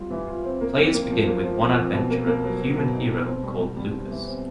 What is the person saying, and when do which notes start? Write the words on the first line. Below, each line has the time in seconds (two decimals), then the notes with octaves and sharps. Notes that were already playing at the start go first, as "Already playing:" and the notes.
Players begin with one adventurer, a human hero called Lukas.
Already playing: E3 G3 F4
0.11 E3
0.27 F4
0.44 C4
0.61 A#3
0.77 F2
0.94 A#3
1.10 F3
1.27 A#3
1.43 F3
1.60 F3
1.77 F2
1.94 B2
2.10 A#3
2.27 A#3
2.44 F#3
2.60 F#3
2.76 B2
2.93 D#4
3.10 B2
3.26 C4
3.43 G3
3.60 G3
3.76 G3
3.93 G3
4.10 E3
4.26 C4